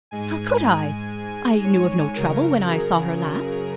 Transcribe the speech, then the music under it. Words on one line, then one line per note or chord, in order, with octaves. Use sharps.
"How could I? I knew of no trouble when I saw her last."
G#2 G#3 G#5
C#5
F#2 C#3 F#3 A#4
G#4